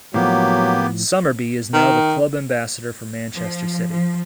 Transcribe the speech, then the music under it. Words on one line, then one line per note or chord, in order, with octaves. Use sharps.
Summerbee is now the Club Ambassador for Manchester City.
A2 F3 F#3 A#3 B3 G4
D#3
F3
F3